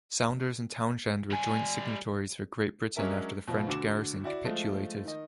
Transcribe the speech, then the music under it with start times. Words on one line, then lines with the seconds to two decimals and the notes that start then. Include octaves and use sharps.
Saunders and Towshend were joint signatories for Great Britain after the French garrison capitulated.
1.32 G3 G#5
2.96 F#3 G#3 C#4 D4 A#4 E5
3.47 B2 F3
3.67 D2 D3 F#4 D6 E7
4.24 E4 F#4 D5
4.45 F3 G#3 A3
5.04 D#3 D#5